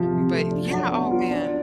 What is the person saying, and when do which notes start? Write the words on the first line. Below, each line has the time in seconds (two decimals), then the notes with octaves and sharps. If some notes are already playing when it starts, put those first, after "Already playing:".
But yeah, oh, man.
Already playing: C3 F3
0.11 C3
0.31 A3
0.51 D4
0.71 F#3
0.91 B3
1.11 F4
1.31 D4